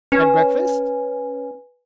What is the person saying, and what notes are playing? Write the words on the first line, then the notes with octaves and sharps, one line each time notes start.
"Had breakfast?"
C#4 B4 G#5